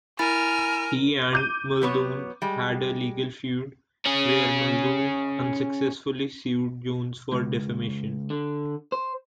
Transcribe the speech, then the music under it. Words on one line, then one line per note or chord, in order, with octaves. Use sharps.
He and Muldoon had a legal feud, where Muldoon unsuccessfully sued Jones for defamation.
E4 A#4 G#5 B5 F6 A6
D6 G6 D#7
F#3 B3 C#5
G3 G#3
C#4 G#4
C#2
D3
C5